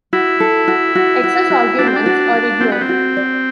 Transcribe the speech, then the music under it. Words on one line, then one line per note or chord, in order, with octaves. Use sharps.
Excess arguments are ignored.
E4 F#4
A4
F#4
F#4
F#4
F#4
D4 F#4
C4
D4
F#4
F#4
C4 F#4
B3
C4
F#4
D5